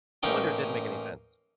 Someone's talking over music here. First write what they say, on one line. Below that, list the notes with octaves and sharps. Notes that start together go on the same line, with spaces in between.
No wonder it didn't make any sense."
A1 A#3 C#4 D#4 G5